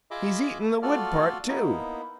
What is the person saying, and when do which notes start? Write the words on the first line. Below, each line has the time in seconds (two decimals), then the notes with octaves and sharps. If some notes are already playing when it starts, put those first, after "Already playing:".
He's eatin' the wood part, too!
0.11 F4 G#4 D#5 E5 B5 D6
0.82 A3 F4 F#4 A4 D5 F6
1.48 A#3 B3 D#4 E4